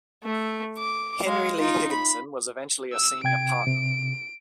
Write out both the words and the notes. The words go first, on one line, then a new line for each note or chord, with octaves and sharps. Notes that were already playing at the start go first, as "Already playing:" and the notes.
Henry Lee Higginson was eventually a senior partner.
A3
D6
G#3 F5
D#4 F4
B5
E6
C3 G5 G#6 D7
C3